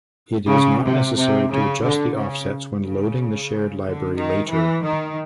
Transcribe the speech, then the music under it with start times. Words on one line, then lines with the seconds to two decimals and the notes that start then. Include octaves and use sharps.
It is not necessary to adjust the offsets when loading the shared library later.
0.50 C#3
0.83 C3
1.16 C3
1.50 C#3
1.83 D3
2.17 C#3
2.84 C#3
3.84 D3
4.17 D#3
4.50 E3
4.84 D#3